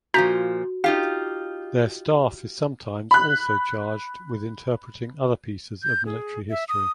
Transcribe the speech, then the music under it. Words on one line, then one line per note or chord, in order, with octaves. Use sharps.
Their staff is sometimes also charged with interpreting other pieces of military history.
A#2 D#3 F3 F#4 A#5 G6 B6
D#4 F4 G4 F5
B5 F#6
G6
G#4
E5
D#6